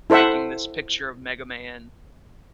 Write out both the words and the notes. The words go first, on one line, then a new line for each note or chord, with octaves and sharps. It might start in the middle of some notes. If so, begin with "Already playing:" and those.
making this picture of Mega Man
E4 A4 C5 E5 F#5